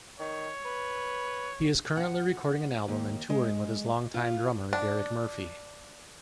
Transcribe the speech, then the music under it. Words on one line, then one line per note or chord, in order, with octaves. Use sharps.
He is currently recording an album and touring with his long-time drummer, Derek Murphy.
D#3 C#5
B4
F#5
D#2
G#3
F4
D4